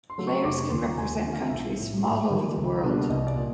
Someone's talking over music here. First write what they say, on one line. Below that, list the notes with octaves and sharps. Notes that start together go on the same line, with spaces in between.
Players can represent countries from all over the world.
C6
C#3 F#3 A3
C#6
F1 D6
C#6
D#2 D#3 C6
A#5
D#2 G#5
G#5
D3 F3 G#3 C4
F5
B1 E5
A2 F3
G#2 E5
D#3 G3 A#3
C#2
B2 G3 A#3 D4
C2 D#5
D5
A#2